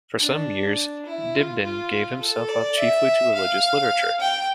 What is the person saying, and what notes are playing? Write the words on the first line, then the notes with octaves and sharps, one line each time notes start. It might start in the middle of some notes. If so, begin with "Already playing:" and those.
For some years Dibdin gave himself up chiefly to religious literature.
D4
E4
F4
F4
A4
D5
E5
F5
G5